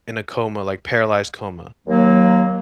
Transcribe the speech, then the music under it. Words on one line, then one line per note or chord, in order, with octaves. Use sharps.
in a coma, like, paralyzed coma.
D#2 F#3 A#3